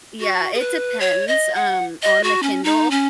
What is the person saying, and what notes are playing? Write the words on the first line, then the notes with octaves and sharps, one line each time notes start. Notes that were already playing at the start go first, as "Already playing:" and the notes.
Yeah, it depends, um, on the Kindle,
F#4
G#4
B4
C#5
D#5
F#5
D#5
F#4
C#4
D#4
C#4